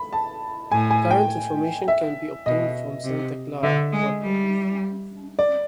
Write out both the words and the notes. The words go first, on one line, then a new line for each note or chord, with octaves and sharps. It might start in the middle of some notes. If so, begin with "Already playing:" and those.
Current information can be obtained from Santa Clara Pueblo.
Already playing: B5
A5
A2 G#5
G#5
G5
E5
B2 D#5
C3
D3 E5
G#3
G3
D5